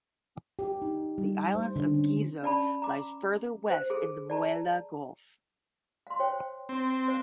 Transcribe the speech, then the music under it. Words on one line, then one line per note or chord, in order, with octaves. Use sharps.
The island of Gizo lies further west in the Vella Gulf.
G4
D#4
G3
C5
D3
C#4
C#4 D5 A5 B5
A#5 D6
C5
G#4 A4
D5 A5 A#5
F5 C6
C5 C#5 G5
C4
C5 F5